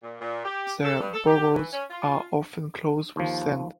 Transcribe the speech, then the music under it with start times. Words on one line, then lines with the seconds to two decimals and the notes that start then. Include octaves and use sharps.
Their burrows are often closed with sand.
0.03 A#2
0.21 A#2
0.45 G4
0.84 A4
1.00 G2
1.14 A4
1.27 G4
1.54 E3
1.73 C#4
1.90 F4
2.02 F4
3.16 D#2 F3